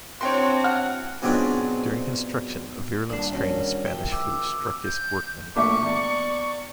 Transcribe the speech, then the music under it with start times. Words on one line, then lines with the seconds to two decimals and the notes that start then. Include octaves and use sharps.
During construction, a virulent strain of Spanish Flu struck his workmen.
0.21 C4 D4 E4 F#4 C#5 G5 C6
0.64 F#5 F6 F#6
1.22 G#2 B2 F#3 C4 D4 F4
3.09 G#1 A#2 G3 D4 F#5 A5
3.31 A#2 C#4 F#4
3.86 F3 E5 G5
4.12 D6 E6
4.84 G6
5.56 A#1 A3 E5 C#6 D6
5.83 E2 D5